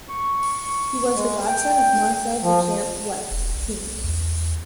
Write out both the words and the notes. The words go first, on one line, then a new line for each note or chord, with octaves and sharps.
He was the godson of Marcel Duchamp's wife, Teeny.
C#6
G#3
G5
F3
E1
B1
E2